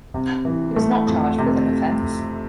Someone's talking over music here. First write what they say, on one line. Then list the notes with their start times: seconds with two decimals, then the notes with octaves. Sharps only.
He was not charged with an offense.
0.14 C3
0.45 E3
0.76 A3
1.07 F2
1.38 C3